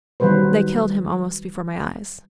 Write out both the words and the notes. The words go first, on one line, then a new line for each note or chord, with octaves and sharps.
"They killed him almost before my eyes."
D#3 F#3 G3 B4 C5